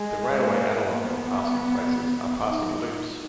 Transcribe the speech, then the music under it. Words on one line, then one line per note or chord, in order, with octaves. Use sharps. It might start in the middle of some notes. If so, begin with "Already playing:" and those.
The railway analog for passing places are passing loops.
Already playing: G#3
A#3
B3
D#4